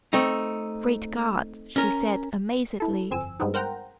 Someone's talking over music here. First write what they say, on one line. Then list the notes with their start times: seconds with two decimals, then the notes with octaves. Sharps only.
"Great God!" she said amazedly.
0.13 A3 C4 D#4
1.76 C#4 A#4
2.80 E4 A4
3.10 G1 F2 C4 G#5 E6
3.40 G2 G#3 B3 C4 D#4
3.54 A#4 C5 F#5 G5 A#5